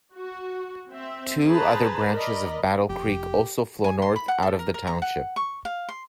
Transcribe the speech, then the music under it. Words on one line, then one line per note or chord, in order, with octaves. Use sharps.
Two other branches of Battle Creek also flow north out of the township.
F#4
C4 E5
G#4 B4 C5 A5 A#5
A#4 D5 D#5 B5
F1 F2 G4
G#5
C6
B5
F#5
A4
A#4
A#4
A#5
F#5
C#6
F5
C6